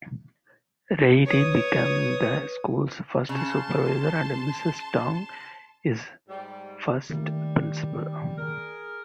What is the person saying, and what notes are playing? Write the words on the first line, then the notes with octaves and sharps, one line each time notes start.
Reilly became the school's first supervisor and Mrs. Tong its first principal.
B4 C#5 D#6
C#3 A5 C6
G#2 G3
D#3 G3 A3 A#3
G#4 A#4